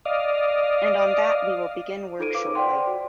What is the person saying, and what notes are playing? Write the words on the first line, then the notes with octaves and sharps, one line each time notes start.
And on that we will begin work shortly.
D5 D#5 F5
D#4 F4 A4 C5 D7 D#7
B4 F5 D6
C5 D5 F#5 G5 C6
F#4